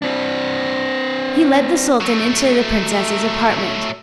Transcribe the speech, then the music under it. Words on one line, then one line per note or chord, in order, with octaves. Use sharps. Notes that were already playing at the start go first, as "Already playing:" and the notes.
He led the sultan into the princess's apartment.
C4 D4
F#3 A3